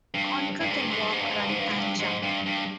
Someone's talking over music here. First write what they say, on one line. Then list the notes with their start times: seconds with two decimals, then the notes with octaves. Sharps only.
Conker can walk, run, and jump.
0.14 G2
0.61 G2
0.70 G#2
0.81 G2
0.90 G#2
1.00 G2
1.10 G#2
1.20 G2
1.29 G#2
1.39 G2
1.49 G#2
1.59 G2
1.69 G#2
1.78 G2
2.00 G#2
2.23 G2
2.46 G2